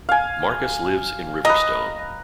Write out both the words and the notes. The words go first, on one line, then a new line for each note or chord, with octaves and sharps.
Markus lives in Riverstone.
F5 G#5
B4 D#5 A#5